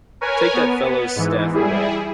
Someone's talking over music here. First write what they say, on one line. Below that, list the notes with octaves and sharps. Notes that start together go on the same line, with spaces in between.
Take that fellow’s staff away.
A#4 B4 C#5 G#5
B3
G#2 E3
G3 E4 G#4